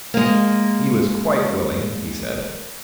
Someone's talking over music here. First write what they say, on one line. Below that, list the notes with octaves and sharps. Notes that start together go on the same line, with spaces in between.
He was quite willing, he said.
G#3 A#3